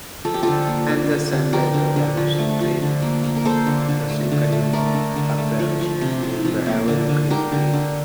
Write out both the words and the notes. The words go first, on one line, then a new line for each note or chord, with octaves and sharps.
Anderssen later demonstrated the same kind of approach in the Evergreen Game.
F3 A4
G4
D3 F4 A4
A#3
D3
D3
D3
F3 G4 A#4
D3
D3
F3
A3
F3
D3
A#3
A#3
A#4
A#3 A4 C5
D3
D3
A3
D3
A3
A3 A#4 D5
D3
D3
A3
F3
F3
C3
C3
F3
A#3
D3
D3
D3 G4 A#4
D3
D3